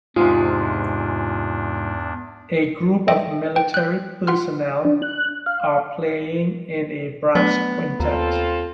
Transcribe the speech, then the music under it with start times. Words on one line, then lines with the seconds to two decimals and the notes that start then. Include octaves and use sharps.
A group of military personnel are playing in a brass quintet.
0.16 E2 G#2 C3 G#3 D4 F4
3.08 A4 D#5 E5 G5
3.56 G5
3.74 F#6 G6
4.27 F4 F#5 C6 F6
4.85 D4
5.02 F#6
5.46 F5
7.35 F#3 A3 B3 D4
8.00 D#2 C4 F4 A4 A#5